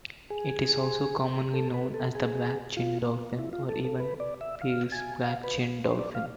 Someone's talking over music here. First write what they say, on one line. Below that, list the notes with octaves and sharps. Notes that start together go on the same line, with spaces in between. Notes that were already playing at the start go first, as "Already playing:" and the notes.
It is also commonly known as the black-chinned dolphin or even Peale's black-chinned dolphin.
G#4
A4
B4
A4
G#4
F4
E4
F4
A4
A4
B4
D5
E5
F5
G#5
F5
B4
C5
D5
F5